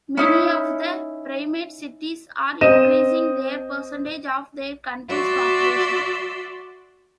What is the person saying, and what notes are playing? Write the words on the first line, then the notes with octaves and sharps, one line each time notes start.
Many of the primate cities are increasing their percentage of their country's population.
C#4 D#4 E4
C4 D#5 D#7 E7
F#4 D5 E5 C6